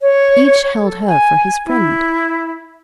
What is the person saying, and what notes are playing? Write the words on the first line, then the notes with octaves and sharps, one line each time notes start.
Each held her for his friend.
C#5
A4
G#5
E4